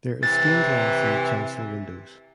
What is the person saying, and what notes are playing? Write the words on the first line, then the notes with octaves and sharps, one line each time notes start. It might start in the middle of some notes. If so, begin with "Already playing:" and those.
There is stained glass in the chancel windows.
C3 E3 A6